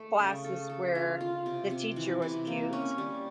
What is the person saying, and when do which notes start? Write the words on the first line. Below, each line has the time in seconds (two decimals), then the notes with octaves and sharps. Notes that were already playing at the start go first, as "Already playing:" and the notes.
classes where the teacher was cute,
Already playing: A3
0.19 C#3
0.44 A4
0.69 A4
0.95 F4
1.21 F4
1.46 C3
1.71 C3
1.96 E3
2.22 C3
2.47 A#3
2.73 C#4
2.98 G3